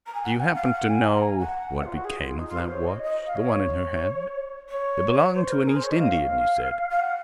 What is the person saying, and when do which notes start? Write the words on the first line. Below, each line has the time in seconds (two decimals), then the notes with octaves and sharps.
"Do you happen to know what became of that watch--the one in her hand? It belonged to an East Indian, you said."
0.06 A#5
0.14 G#5
0.24 F#5
0.31 G#5
0.40 F#5
0.56 F5
0.72 F#5
0.89 G#5
1.05 A#5
1.21 G#5
1.39 F#5
1.84 F4
1.94 F#4
2.04 G#4
2.21 F4
2.38 D#4
2.49 F4
2.60 C5
2.71 C#5
2.87 D#5
3.03 D#5
3.26 F5
3.36 C#5
4.69 C#5
5.34 C5
5.51 A#4
5.68 G#4
5.76 C5
5.84 C#5
5.92 D#5
6.00 F5
6.90 F5
7.00 F#5